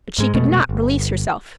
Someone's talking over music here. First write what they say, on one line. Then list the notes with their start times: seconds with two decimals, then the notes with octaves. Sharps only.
But she could not release herself.
0.18 G#2 G#3
0.34 F1 B2 G#3 A3
0.69 G1